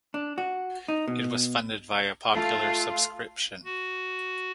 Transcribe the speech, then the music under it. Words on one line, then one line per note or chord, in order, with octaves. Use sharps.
It was funded via popular subscription.
D4
F#4
D#4
B2
A3 F4 F5
F#4